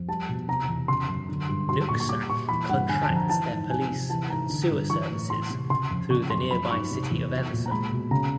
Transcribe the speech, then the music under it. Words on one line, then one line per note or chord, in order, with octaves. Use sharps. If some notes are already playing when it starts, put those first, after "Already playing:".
Nooksack contracts their Police and sewer services through the nearby City of Everson.
Already playing: F2
G3 A5
B2
C3 A#5
E2
C#3 C6
F#2
D3
G2
F#3 C6
A#2 C#6
C#6
G3 D6
A#2 C#6
E3 B5
G2 F#5
D3 G#5
A5
F2
A#5
E3 A5
G#2
F3 G#5
C3
E3 A5
G#2 A#5
D3
G2
E3 C#6
A2
E3 C6
C3
C#3 C6
F2
C#3 C#6
F#2 C6
F3 B5
G#2 C#6
C3
E2
F#3
A#2
A#5
G#3 B5
B2
C#3 A#5